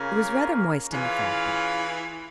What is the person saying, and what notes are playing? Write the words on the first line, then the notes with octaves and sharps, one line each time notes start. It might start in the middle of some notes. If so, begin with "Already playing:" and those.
It was rather moist in the Fog Bank.
Already playing: C#3 A#3 C#4 F4 A#4
E3 C#4 F4 G#4